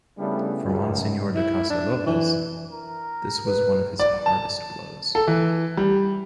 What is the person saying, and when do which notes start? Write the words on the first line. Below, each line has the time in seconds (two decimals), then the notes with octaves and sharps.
For Monsignor da Costa Lopes this was one of his hardest blows.
0.18 C#3 G3 A3 B3 D4 E4
0.64 C#2 F#2
1.35 E4
1.70 D4
2.06 E3
2.71 A#4
3.46 B4
3.99 D5
4.26 A5
5.15 A4
5.27 E3
5.77 G3